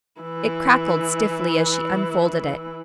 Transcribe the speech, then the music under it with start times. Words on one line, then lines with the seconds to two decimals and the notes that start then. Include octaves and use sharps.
It crackled stiffly as she unfolded it.
0.21 E3 E4